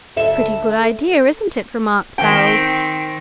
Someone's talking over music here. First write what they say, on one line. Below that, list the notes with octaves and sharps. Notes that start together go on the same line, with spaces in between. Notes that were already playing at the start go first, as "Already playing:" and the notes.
"Pretty good idea, isn't it?" remarked Barold.
D2 A4 E5
D#3 C4 G5